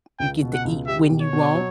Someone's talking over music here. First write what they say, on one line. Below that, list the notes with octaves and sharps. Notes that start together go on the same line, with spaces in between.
you get to eat when you want
C#2 G5
B2
F#5
C#2
G4 E5
B2
C#5
B2
F#3